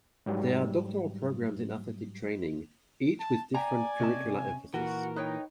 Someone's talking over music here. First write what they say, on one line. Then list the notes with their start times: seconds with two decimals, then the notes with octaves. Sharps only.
There are doctoral programs in athletic training, each with different curricular emphasis.
0.26 G#2 F#3 G3
3.20 A5
3.54 D5 G5 G#5 A#5
4.00 C3 C#4 D#5 A5
4.74 A#2 E3 F#4 A#4
5.16 D#4 B4 C#5 G5